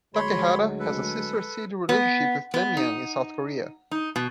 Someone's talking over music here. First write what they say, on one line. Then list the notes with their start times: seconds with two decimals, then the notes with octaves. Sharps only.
Takehara has a sister city relationship with Damyang in South Korea.
0.15 D2 F#3 G#3 C#5 B5 C6
0.79 A4 B4
1.89 B3
2.54 B3
2.77 D#4
3.91 D#4
4.16 B2